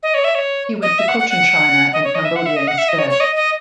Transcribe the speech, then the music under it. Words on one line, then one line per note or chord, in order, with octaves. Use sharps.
He went to Cochinchina and Cambodia instead.
D#5
C#5
E5
C#5
D#5
E5
F#5
F#5
F#5
D#5
C#5
D#5
E5
F#5
E5
D#5
F#5
E5
D#5
C#5
C#5
D#5
D#5